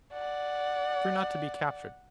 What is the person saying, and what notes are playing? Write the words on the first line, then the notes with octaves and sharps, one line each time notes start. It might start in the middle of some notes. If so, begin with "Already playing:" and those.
Fear not to be captured.
D5 F#5